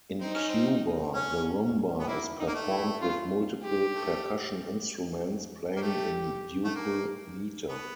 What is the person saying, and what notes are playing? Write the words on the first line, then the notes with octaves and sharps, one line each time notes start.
In Cuba, the rumba is performed with multiple percussion instruments, playing in duple meter.
C4 D#4
C#4
C4
C#4
B3
A#3 E4
D#4
A#3
A3
E4
F4
G4
A3
A#3
A3 G4
A3
A#3
B3